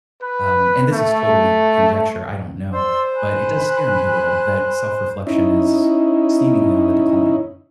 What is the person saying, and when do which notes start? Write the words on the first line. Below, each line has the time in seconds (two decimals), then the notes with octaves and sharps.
um, and this is totally conjecture, I don't know, but it does scare me a little that self-reflection is seemingly on the decline.
0.22 B4
0.92 A3
2.72 C5 D5 C6 E6
3.15 G#5 B5 F#6
5.27 C#4 D#4 E4